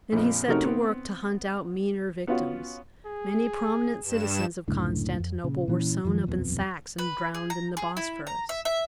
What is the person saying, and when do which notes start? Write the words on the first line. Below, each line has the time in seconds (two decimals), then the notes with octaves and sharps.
Then he set to work to hunt out meaner victims: many prominent citizens of Constantinople were sown up in sacks and drowned in the Bosphorus.
0.12 A#1 F2
0.48 C3 A3 C#4 D#4 F#4 A#4
0.65 B3 C4
2.27 B3 C#4 F4 F#4
3.06 G#4
4.01 G2 E7
4.68 C#2 F#2 A2 D3
5.19 F2
5.44 A#2 C#3
5.68 A#2 E3 C#4
6.05 F#2 D#3 F3
6.27 D#1 B1 F2 B3
6.98 B4
7.34 G#4
7.50 A#5
7.77 G#4
7.97 E4
8.27 A#5
8.49 E5
8.65 E5